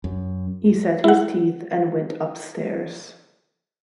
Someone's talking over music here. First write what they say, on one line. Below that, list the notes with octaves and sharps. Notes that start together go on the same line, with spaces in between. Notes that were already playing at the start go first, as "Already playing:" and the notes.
He set his teeth and went upstairs.
F#2
E4 F#5